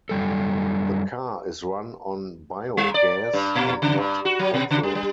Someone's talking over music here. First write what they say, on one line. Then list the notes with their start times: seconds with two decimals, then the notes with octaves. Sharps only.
The car is run on biogas and not petrol.
0.09 F#2 G3 A4
2.77 G3
2.94 D5
3.33 G2
3.55 A#2
3.82 C#3
3.98 G2
4.25 F#4
4.39 F#3
4.54 B2
4.71 C#3
4.83 G3
4.95 G3